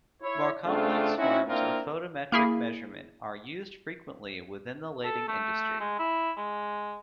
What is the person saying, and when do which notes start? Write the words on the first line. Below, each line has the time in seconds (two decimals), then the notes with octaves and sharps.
More complex forms of photometric measurement are used frequently within the lighting industry.
0.23 E4 C#5
0.66 C#3 A3 C4 D4 F4
1.18 C4 C#4 D#4 E4 F#4
1.48 A#3 C4 D4 E4 F4 A#4
2.32 A#3 E4 G#4
5.04 A4
5.28 A3
5.80 G#3
5.99 E4
6.37 G#3